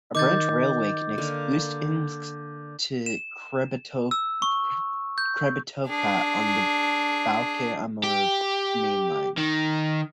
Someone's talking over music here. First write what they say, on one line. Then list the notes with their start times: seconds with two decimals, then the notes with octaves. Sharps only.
A branch railway connects Ust-Ilimsk to Khrebetovka on the Baikal-Amur Mainline.
0.15 D#3 D#4 D6 G6 A6
1.18 D3 A#3 F5
3.06 E7
4.11 E6
4.42 C#6
5.18 G6
5.88 D4 G#4
8.04 G4
9.38 D#3